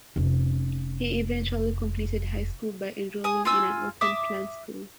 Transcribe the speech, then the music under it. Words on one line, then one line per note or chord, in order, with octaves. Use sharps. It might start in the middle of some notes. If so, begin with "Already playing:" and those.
He eventually completed high school by enrolling in an open plan school.
F1 C#4
G#5 D#6
F4 G#5 E6
E5 D6 D#6